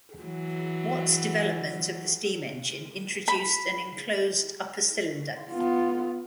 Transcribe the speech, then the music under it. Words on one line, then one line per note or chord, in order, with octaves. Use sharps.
Watt's development of the steam engine introduced an enclosed upper cylinder.
E3 F#3
B5
B3 F4